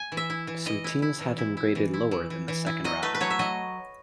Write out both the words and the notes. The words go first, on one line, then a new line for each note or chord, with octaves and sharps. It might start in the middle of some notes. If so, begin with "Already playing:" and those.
Some teams had him rated lower than the second round.
Already playing: G#5
E3
E5
E4
E3
E3 D#5
E4
E4
E3
E4
E4
E3
E4
E3
E3
E3
E4
F#3 D#5
A3 B4
B4
F#3 C#5
E5
F#3 D#5